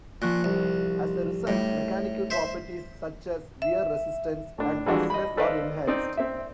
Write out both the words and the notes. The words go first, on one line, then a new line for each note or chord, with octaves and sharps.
As a result, mechanical properties such as wear resistance and toughness are enhanced.
A#2 F3 C#6 F#6
C2
A2 G3
C5 E5
E5
A2 D4
E3 F3 G3 G#3 D4 F#4
D#5 B5
A4 B4 C5 D5 D#5 F5
C4 D#4 D5
C4 E5